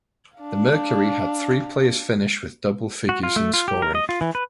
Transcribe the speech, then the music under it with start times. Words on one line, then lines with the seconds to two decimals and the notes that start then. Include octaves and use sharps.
The Mercury had three players finish with double figures in scoring.
0.38 D4 F5
3.09 F#4
3.23 F4
3.36 A3
3.54 F4
3.68 G4
3.82 A#4
3.95 D#5
4.09 F4
4.21 E3
4.35 B4